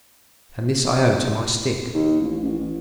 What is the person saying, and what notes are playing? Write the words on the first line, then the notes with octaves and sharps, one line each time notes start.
And this I owe to my stick.
D#2
A1
A1
A1